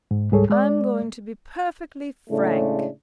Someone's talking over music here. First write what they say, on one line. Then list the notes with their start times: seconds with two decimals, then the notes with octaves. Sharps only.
'I'm going to be perfectly frank.
0.11 G#2
0.31 C#2 G#2 G3 G#4 A4 C#5
0.50 G#3 D5
2.30 A2 C#3 G#3 A3 D4